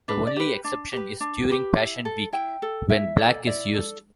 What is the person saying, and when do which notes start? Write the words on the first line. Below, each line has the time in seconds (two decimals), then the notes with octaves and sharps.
The only exception is during Passion Week when black is used.
0.08 D4 B4
0.27 D5
0.36 G4 B4
0.64 D4
0.93 G4 B4
1.20 D4
1.49 G4 B4
1.77 E4
2.05 A4
2.33 E4 G5
2.62 A4
2.89 E4 E5
3.17 A4 D5
3.46 E4 D5
3.74 A4